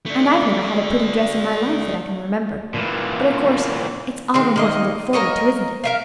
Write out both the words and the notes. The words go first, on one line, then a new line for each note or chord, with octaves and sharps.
And I've never had a pretty dress in my life that I can remember--but of course it's all the more to look forward to, isn't it?
A3 D4
A#2 E3
D#3 G#3 C4
D#3 A#3 D#5
A#3 A#4 C#5 D#5
A#4 E5 F5